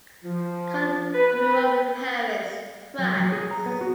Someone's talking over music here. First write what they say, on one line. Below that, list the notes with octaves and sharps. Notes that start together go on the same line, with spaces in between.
Kahn grew up in Paris, France.
F3
B4
F#3
F#3
G#4
A#5
B3
F#4